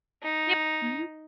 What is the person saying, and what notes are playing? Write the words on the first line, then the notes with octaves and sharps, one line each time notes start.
Yep, mhm.
D#4